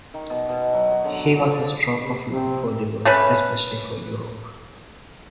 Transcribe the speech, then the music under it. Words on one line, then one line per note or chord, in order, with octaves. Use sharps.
He was a stroke of luck for the world, especially for Europe.
D#3
B2
B2
F#3
C#5
D3
F#4
F3
D5
C3
C3 C4
A3 C#4 B4